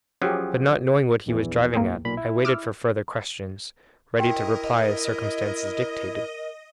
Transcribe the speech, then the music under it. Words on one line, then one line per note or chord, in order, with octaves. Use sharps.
But not knowing what he was driving at, I waited for further questions, ready to reply as circumstances dictated.
F3 F#3 C#4 G4 G#4
A#1 E2 E3
A#3 C4 G#4
B1 A#2 B5
E4
D6 E6 F6
E4 F#4 A#4 D#5 G5